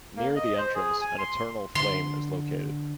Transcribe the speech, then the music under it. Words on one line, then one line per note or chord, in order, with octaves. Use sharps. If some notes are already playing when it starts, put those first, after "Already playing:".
Near the entrance an eternal flame is located.
A#3
D#5
C5
G#4
G#5
C6
D3 C6